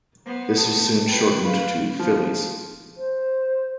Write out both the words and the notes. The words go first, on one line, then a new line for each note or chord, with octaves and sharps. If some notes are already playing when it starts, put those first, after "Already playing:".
This was soon shortened to "Phillies".
B3 C5
A5
B4 G5
F5
F3
C5